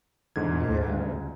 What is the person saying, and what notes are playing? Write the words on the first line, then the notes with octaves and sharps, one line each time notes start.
Mm, yeah.
E2 G#2 D3 G#6
D2
C#2